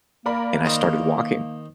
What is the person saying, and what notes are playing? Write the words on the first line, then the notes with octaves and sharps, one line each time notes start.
and I started walking.
A#3 A#4 D5 B5
D#3 C5 D#5